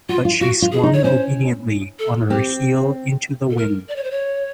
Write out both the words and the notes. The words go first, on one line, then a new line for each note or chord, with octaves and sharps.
But she swung obediently on her heel into the wind.
F4 F#4
F4
F4 F#4
F4
G#4
D#4
C#5
C#4 C5
A4
C4 G4
A4
A#4
D5
C#5
C5
C#5